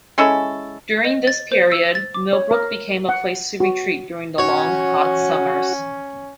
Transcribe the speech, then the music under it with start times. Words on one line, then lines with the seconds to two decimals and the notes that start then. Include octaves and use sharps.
During this period, Millbrook became a place to retreat during the long, hot summers.
0.18 G#3 C#4 E4 A4
1.05 D#5
1.27 A6
1.52 C5
1.72 E6
1.95 A6
2.14 D6
2.33 C#5
2.51 A#4
3.09 F#5
3.60 F#4
4.38 C#4 F#4 C#5